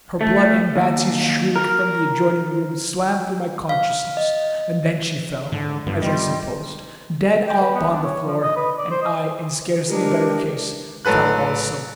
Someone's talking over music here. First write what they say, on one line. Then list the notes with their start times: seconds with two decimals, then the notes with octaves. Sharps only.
Her blood and Batsy's shriek from the adjoining room swam through my consciousness, and then she fell, as I supposed, dead upon the floor, and I, in scarcely better case, fell also.
0.21 A3
0.76 D#2
1.56 A#4
3.69 F5
4.17 D#5
5.52 G#2 D3
5.86 G2 D3 F3 B3
6.02 G3 D#5 G5 C6
7.47 G5
7.60 B4
7.75 B3
7.90 D4
8.04 C#5
8.26 F3
8.42 D#5
8.56 B4
8.78 D5
8.91 C5
9.02 D#5
9.89 G#3 D4 G4 A#4
11.05 A1 F#3 A4 B4 F#6